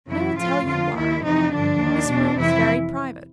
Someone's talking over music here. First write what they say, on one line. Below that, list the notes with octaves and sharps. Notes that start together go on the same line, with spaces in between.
And I will tell you why. This room is very private.
F#2 C#3 E3 E4
A2 F3 F4
F2 D3 F3 F4
D#2 D#3 E4
F2 C3 E3 D#4
G2 D3 F3 D4
D#2 D#3
B2
E2
F2 C3 E3 E4